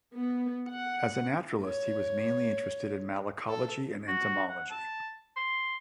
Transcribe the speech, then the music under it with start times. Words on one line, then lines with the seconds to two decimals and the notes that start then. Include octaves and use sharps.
As a naturalist he was mainly interested in malacology and entomology.
0.15 B3
0.67 F#5
1.64 C#5
3.48 A4
4.07 F#4
4.49 F#5
4.71 A5
5.36 C6